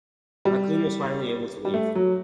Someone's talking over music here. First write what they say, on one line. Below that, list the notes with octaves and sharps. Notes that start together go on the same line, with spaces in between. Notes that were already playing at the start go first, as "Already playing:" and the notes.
Maclean was finally able to leave.
G3
G3
A3
F#3